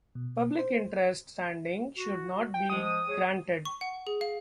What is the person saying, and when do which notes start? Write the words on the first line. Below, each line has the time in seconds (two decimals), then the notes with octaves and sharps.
Public interest standing should not be granted.
0.15 B2
0.59 C5
1.97 F#4
2.54 G5
2.70 F3 G#3 D#6
3.08 G#4 C#5
3.65 C#6
3.81 F#5
4.07 G#4
4.21 F5